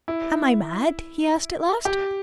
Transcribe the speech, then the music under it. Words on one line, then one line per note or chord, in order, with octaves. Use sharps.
"Am I mad?" he asked at last.
E4
G4